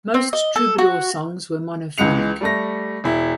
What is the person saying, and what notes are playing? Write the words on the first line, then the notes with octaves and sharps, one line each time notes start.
Most Troubadour songs were monophonic.
C4
D#5
A4
F#4
C#2 E3 G#3 C#7 F7
G3 A3 A#6
E1 E4